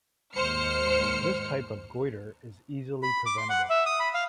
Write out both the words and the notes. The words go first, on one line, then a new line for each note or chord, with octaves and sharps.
This type of goiter is easily preventable.
D#2 G#2 C5 F6 C#7
B5
D6
C6
F#5
E5
D#6
B5
F5